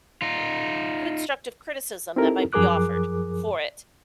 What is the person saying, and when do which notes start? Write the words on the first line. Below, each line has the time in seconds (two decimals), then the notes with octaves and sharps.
constructive criticism that might be offered for it,
0.22 D#4 F4
2.16 C4 D#4 E4 G4 A4 A#4
2.53 F#2 F3 G#4 A#4 D6 F#6